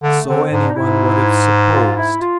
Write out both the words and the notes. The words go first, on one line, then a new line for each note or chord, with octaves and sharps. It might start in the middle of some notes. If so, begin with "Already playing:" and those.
So any one would have supposed.
D3 A3
D3 C4
G#2 D4
D#4
G#2 E4
F4
E4
F4